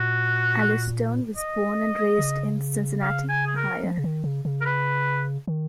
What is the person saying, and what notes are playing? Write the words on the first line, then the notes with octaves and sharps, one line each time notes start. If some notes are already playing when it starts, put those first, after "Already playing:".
Alice Stone was born and raised in Cincinnati, Ohio.
Already playing: A#2 F#4
D#5
C#3
F5
G#5
G#4
A#4
F3
C#3
D#3
C#3
C#3
A#4
B4
D#3